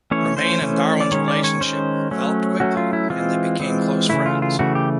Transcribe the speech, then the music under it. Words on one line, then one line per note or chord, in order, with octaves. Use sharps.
Romanes's and Darwin's relationship developed quickly and they became close friends.
E3 A3 C#4 C#5
C5
E3 A3 C#4
D5
D#3 G#3 C#4 C#5
D5
C#5
D#3 G#3 C#4 C5
F#3 A3 C#4
F#3 A3 C#4 F#4
F4
E4
E3 G#3 C4 F4
E3 G#3 C4
C#3 E3 A3 E4
F4
F4
C#3 E3 A3 F#4
G4